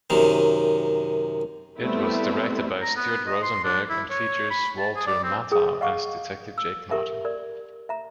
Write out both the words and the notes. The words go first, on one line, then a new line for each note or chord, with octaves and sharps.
It was directed by Stuart Rosenberg and features Walter Matthau as Detective Jake Martin.
F#2 C3 D#3
G3 A3 B3 C4 E4
A#5
B3
D#5
C6
D4
E4
C#5
B5
A5
G#4
D5
C4
G#4 G5 D#6
D#5 F5 F#5 C#6 D6
E6
G4 A#4 E5
A#4 D5
E5 A#5